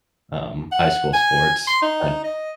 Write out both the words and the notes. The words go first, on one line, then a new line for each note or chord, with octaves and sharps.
um, high school sports and
F#5
G#5
C6
D#4
D#5